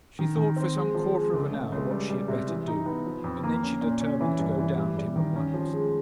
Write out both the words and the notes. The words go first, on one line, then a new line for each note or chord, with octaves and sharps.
She thought for some quarter of an hour what she had better do, and then she determined to go down to him at once.
D#3
D#3
C4
G#3
F3
G#3
C#2
A3
C#2
G3
G3
C3
E3
D#4
B3
F3
F2
A#3
C#4
A#2
C#4
E3
G2
E3
G3
G3
D#3
C#4
F3
G#3